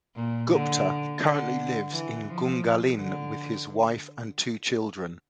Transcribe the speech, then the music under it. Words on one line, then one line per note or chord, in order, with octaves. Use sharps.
Gupta currently lives in Gungahlin with his wife and two children.
A#2
D3
D3
E3
F3
D3